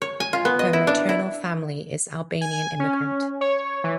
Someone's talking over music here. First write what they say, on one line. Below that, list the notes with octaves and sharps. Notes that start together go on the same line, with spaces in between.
Her maternal family is Albanian immigrant.
C#5
G#5
F4
B3
D#5
E4
D4
E4
G#5
C#4
C#5
E3